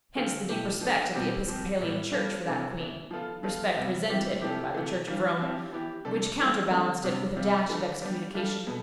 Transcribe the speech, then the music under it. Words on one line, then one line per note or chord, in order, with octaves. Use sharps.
Hence the deep respect of the Episcopalian Church for that queen--respect resented by the Church of Rome, which counterbalanced it with a dash of excommunication.
D3 A3 C4 F4
B2 A3 E4 G4
F3 B3 D4 A4
B2 G3 C4 G4
F3 C4 G4
A2 G3 B3 E4
G3 B3 F4 A4
C3 E3 A3 D4
E3 B3 E4
F3 B3 F4 A4
F3 B3 F4 A4
C3 G3 B3
E3 G3 C4 G4
C3 F3 A3 E4 G4
C3 E3 A3
E3 G3 D4 F4
F3 C4 E4 G4
E3 B3 E4 G4
C3 G3 D4 A4
E3 G3 C4 F4
D3 G3 C4 F4 A4
C3 G3 B3 D4
C3 G3 C4 F4
D3 F3 A3 D4
G3 B3 D4 G4
G3 D4 F4 A4
B2 A3